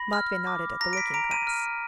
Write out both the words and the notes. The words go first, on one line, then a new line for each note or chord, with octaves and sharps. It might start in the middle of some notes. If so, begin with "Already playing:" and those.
Matvey nodded at the looking-glass.
Already playing: B5 A#6
F6
D6
A#5 A#6
D7
B6
A#5 D7
D#7
F6